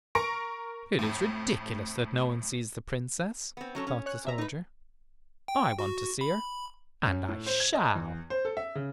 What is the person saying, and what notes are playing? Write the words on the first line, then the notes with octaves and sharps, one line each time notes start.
"It is ridiculous that no one sees the Princess," thought the soldier. "I want to see her, and I shall."
A#4 A#5 C#6 A#6 D7
F2 A2
B3 C4
F#3 C#4 A4
C#4
C#5 F#6
C3 E5 A#5
D#4 B4
G5
F#4
B5
F#2
A2
C5
G#6
D#5
E2
C5
A4
E5
C#3